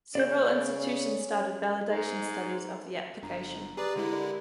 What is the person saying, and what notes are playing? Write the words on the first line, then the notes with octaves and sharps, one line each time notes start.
Several institutions started validation studies of the application.
C#3 C#4 D5 G6
G#2
G1 D4 A#5
G4 G#4 B4 D5 A#5 D6
D3 G#3 E4
G4 A#4 D5